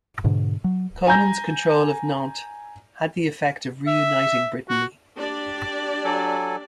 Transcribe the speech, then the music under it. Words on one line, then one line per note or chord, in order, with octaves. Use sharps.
Conan's control of Nantes had the effect of reuniting Brittany.
G#2 B2 D3
F#3
G#5 A#5 G6 A#6
E5
F#4
D4 G4 D5
F#3 A4 G#5